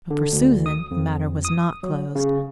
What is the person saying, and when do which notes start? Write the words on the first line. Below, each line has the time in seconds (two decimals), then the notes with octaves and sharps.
But for Susan the matter was not closed.
0.10 D3
0.33 D2
0.66 D#6
0.91 F2
1.45 D#6
1.83 F#3
2.15 C#3